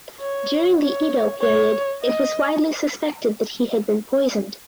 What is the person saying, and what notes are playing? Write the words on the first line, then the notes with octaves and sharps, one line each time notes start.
During the Edo period it was widely suspected that he had been poisoned.
C#5
C#5
C#5
D#5